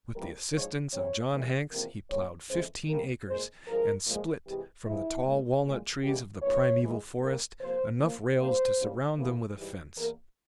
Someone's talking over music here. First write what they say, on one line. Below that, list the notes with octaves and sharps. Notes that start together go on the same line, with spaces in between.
With the assistance of John Hanks he plowed fifteen acres, and split, from the tall walnut-trees of the primeval forest, enough rails to surround them with a fence.
F2 E3 G3 A#3 A#4
G#2 F3 G#3 C#5
E2 C3 E3 C#5
E2 C3 E3 G3 A#3
E2 C3 F3 A#3 A#4
A#2 G3 A#3 C#5
F2 C#3 E3 G#3 C5
C3 G3 A#3 A#4
A#2 G#3 C5
G2 F3 G#3 A#4
A#2 F3 G#3
C3 E3 G#3 G4
G2 F3 G#3 E4
A#2 G#3
A#2 G#3
E2 C#3 E3 G#3 G4
G2 E3 A#3 C#5
E2 E3 G#3
G2 G3 A#3
C3 F3 A#3 C5
A#2 F3 A#3
G#2 G3 A#3 C5
E2 C#3 G3 A#3
C3 E3 A#3
G#2 E3 G3
E2 E3 A#3 A#4